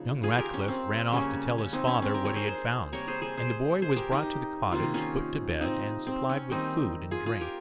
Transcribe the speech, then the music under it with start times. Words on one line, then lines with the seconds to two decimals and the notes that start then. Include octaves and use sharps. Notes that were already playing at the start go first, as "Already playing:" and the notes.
Young Ratcliff ran off to tell his father what he had found; and the boy was brought to the cottage, put to bed, and supplied with food and drink.
Already playing: C#3 F3 A#3 D#4
0.23 F4 G#4
0.38 G4 A#4
0.54 C#4
0.68 C4
1.12 C#3 G3 A#3 C#4
1.58 C#4
1.73 C4 D#4
1.87 C#4
2.02 C4
2.14 G4 A#4
2.25 A#4 C#5
2.36 G#4 C5
2.47 G#4 C5
2.92 C3 G3 A#3 A#4 C#5
3.08 G#4 C5
3.22 G#4 C5
3.37 G#4 C5
3.82 G#4 C5
3.96 G4 A#4
4.11 D#4 G4
4.71 C3 D#3 A#3 F4
4.83 D#4
4.94 C#4 F4
5.61 C4 D#4
6.07 C4
6.30 C#4
6.51 D#3 G3 A#3 C4 D#4
7.11 F4 G#4
7.26 F4 G#4
7.41 G4 A#4